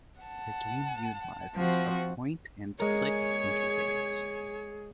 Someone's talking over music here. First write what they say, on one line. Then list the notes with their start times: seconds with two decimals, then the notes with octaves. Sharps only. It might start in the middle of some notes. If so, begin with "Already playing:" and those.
The game utilizes a point and click interface.
0.21 F#5 A5
1.55 F3 C4 F#4
2.80 G#3 G#4 A#4 C#5